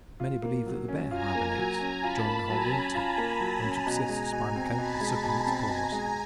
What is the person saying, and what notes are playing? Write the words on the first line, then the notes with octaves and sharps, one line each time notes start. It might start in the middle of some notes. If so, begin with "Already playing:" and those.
Many believe that the bear hibernates during the whole winter and subsists by mechanically sucking its paws.
F4
A#3
F#3
C#4
F4 G#5 A#5
A#3
F#3
C#4
F4 A5 B5
A#3
F#3 G#5 A#5
C#4
F4
A#3
F#3
C#4
B2
G#3
B2
C4
B2 A5 B5
G#3
B2
C4
B2 G#5 A#5
G#3